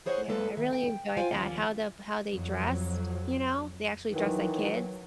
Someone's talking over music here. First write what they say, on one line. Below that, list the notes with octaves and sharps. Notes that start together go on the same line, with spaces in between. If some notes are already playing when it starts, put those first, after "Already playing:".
Yeah, I really enjoyed that, how the how they dressed, you know? They actually dress like kids.
E4 G#4 C5 C#5 D#5 F#5
G#3 A#3 E4 A4 B4 F5
D#3 E5
G5
F4 C5 F5 G5 G#5
D#2 F3 C#4 F4 D5
F2 F#3
D#3 E3 F#3